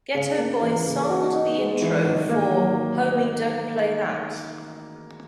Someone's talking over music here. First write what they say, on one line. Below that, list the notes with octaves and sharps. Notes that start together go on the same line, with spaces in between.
Geto Boys sampled the intro for "Homie Don't Play That".
C#3
A#3
E3
C#3
F#4
D#4
G#3
E3
D#3
A#3
F#3